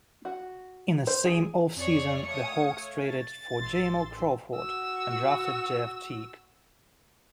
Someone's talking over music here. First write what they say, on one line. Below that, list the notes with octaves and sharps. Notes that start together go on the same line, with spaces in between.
In the same offseason, the Hawks traded for Jamal Crawford and drafted Jeff Teague.
F#4
C5
G#4
F2 G#4 C#5 D5
A3 C#5 F5 D#6 C#7
A6
A1 C6 E6
F#4 E6